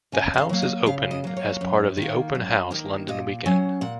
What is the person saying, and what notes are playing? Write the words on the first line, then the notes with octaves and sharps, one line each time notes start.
The house is open as part of the Open House London weekend.
C#3 G#5
D#5
F5
F#3 A#3
D#5
C#3 F5
D#5
F#3 A#3
C#5
F#2
D#3 A#3
F#2
D#3 A#3
A#2 D#5
F#3 C#4 G#5
A#2 F#5